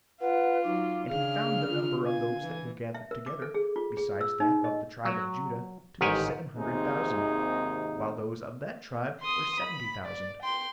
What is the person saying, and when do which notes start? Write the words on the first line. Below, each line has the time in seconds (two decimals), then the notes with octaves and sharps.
And he found the number of those that were gathered together, besides that of the tribe of Judah, to be seven hundred thousand, while those of that tribe were seventy thousand.
0.21 F4 B4 F#5
0.64 F#3 D#4 D6
1.09 C#3 D4 G#4 F5 F6
1.69 F4
2.05 F5 G#5
2.42 E3
2.94 E5
3.11 A#4
3.26 D6
3.42 A4
3.54 G#4
3.76 F4
3.97 G#4
4.21 E6
4.40 D#4
4.64 D#5
5.05 F#3
6.01 A1 G#2 D#3 G4 F#5 G#5
6.57 G#1 D#2 C3 D#4 G#4
9.21 C6 D#6
9.60 B5
10.05 D5
10.42 G5 C6